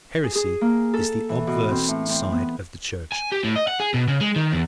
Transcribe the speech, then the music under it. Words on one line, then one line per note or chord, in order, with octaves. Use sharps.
Heresy is the obverse side of the Church.
G#4
G#4
A#3
A4
E3
B2
C4
A2
C4
B3
G#5
G4
A2
D#5
F#5
G#4
B2
C#3
G#3
D#3
E2